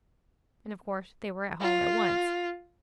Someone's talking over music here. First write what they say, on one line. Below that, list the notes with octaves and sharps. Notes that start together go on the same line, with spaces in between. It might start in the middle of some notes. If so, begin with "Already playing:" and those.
And, of course, they were at home at once.
F4